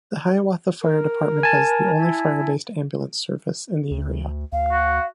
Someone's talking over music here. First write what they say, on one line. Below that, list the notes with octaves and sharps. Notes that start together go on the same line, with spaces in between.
The Hiawatha Fire Department has the only fire-based ambulance service in the area.
A#4
G#5 A5
E4
D2
D2 F5
F#4